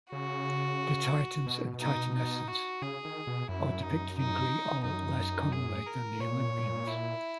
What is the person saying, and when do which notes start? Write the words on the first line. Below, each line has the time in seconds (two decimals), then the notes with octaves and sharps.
The Titans and Titanesses are depicted in Greek art less commonly than the Olympians.
0.12 C#3 F#4
1.46 B2
1.80 D#4
2.15 D#4
2.48 F#4
2.82 C#3 G#4
3.05 D#3
3.27 B2
3.49 F#2 E4
3.83 D#4
4.18 D#4
4.84 F#2 D#4
5.52 G#4
5.86 A#4
6.20 A#2 C#5
6.87 E4